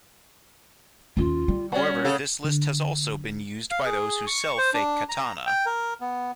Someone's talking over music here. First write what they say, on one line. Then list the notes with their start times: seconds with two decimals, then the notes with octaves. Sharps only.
However, this list has also been used by those who sell fake katana.
1.17 D#2 C#4 F4
1.48 G3
1.72 C#4 F#4 D5
2.05 C#3 A4 C#5
2.44 D3
3.71 F5
3.85 G#4
4.27 C#6
4.58 C5
4.74 D4
5.09 A#5
5.46 G5
5.66 A#4
6.01 B3